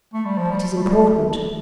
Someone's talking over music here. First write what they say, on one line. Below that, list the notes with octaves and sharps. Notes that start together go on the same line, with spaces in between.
It is important.
A3
G3
F3
G3
A3
G3